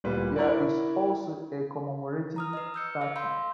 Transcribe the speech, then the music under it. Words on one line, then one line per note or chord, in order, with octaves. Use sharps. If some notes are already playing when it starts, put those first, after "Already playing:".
There is also a commemorative statue.
D1 A#2 G3 B4
E4 A#4 C#5 D5
A#5 D#6 F6
B4 D#5
E6 G6 C#7
A4 D#5 F5
F5 B5 C6 E6 G6